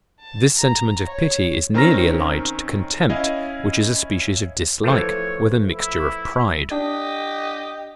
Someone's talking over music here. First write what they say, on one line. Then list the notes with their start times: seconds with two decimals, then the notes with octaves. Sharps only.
This sentiment of pity is nearly allied to contempt, which is a species of dislike, with a mixture of pride.
0.20 A5
0.59 A#5
1.06 C#5
1.74 D#3 C4 C#4 A#5 F6 A#6
3.10 C#4 E4 D#5 F5
4.83 E3 F3 A3 C#5
5.69 E4
6.71 D4 G4 D#5